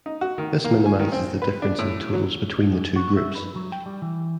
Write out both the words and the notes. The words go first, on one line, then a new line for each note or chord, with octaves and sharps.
This minimizes the difference in totals between the two groups.
D#4
F#4
D#3
A#3
G#5
D#3
C4
B4
D4
A2
F#3
F#2
F#4
E5
B4
F#3
G5
G3
E3